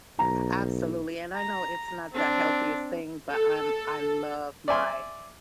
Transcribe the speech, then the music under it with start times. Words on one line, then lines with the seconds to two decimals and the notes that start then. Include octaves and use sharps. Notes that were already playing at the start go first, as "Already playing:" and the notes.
Absolutely, and I know it's not the healthiest thing, but I'm I love my
0.19 B1 A#5
1.35 A#5
2.12 C4 D4
3.30 A4
4.68 D5 E5 G#5 C6